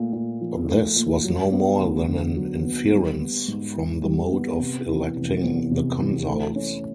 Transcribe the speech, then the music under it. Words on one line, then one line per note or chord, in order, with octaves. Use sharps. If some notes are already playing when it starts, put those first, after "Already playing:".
This was no more than an inference from the mode of electing the consuls.
Already playing: A#2 A3
A#2
F3
A3
A#2
F#3
B3
D2
D3
F#3
B3
G3
B3
G#2
E3
G3
B3
C3
E3
F1
E2
C3
E3
A3
C#4